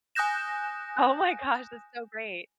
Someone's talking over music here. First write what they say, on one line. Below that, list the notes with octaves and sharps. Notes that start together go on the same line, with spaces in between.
Oh my gosh. That's so great.
G#5 D#6 F#6 G6 A#6 E7